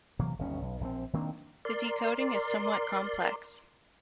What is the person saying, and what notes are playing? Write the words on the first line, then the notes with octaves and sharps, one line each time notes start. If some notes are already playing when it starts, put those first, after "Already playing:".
The decoding is somewhat complex.
C3 E3 F#3 A#3
G1 D#2 B2 C#4
B1
A#1 F3 C4
D#3 A#3 C4 D4
A#4 D5 C6